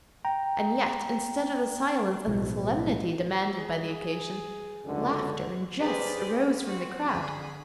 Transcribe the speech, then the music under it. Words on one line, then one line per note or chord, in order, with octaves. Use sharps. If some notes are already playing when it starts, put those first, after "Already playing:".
And yet, instead of the silence and the solemnity demanded by the occasion, laughter and jests arose from the crowd.
G5 A#5
B1 A2 F3 G#3
G#4
C#2 F#2 D3
G4 G#4 B4 C5 D5 F5
B3
C4 F#4
D3 G#4 B5